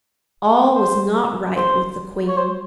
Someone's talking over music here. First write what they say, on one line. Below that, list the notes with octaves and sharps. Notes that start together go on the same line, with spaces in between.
All was not right with the Queen.
C5
C5
C#5
C5